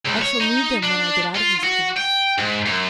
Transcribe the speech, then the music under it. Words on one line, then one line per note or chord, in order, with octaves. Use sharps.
I shall need them when I get out of this place.
C#2
C#5
D#4
D4
F4
F#4
G5
G#2
F#2